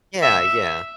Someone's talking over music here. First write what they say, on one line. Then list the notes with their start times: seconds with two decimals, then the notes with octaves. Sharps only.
Yeah. Yeah.
0.23 E5